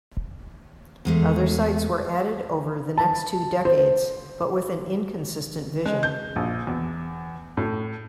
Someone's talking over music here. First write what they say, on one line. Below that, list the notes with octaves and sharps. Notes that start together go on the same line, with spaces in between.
Other sites were added over the next two decades, but with an inconsistent vision.
E2 G#3 A3
A5
C5
G#3
G6
A#1
E2
A2